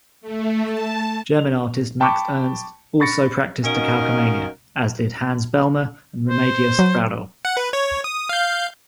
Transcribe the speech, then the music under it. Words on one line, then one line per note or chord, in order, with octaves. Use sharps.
German artist Max Ernst also practised decalcomania, as did Hans Bellmer and Remedios Varo.
A3
A5
F7
G5 A5 B5 C#6 D6
B5 C#6 A6 A#6 C#7
C#4 D#4 F#4 A#4 D#5 F5
C5
F#3
F#5
B4
C#5
D#6
F5 G6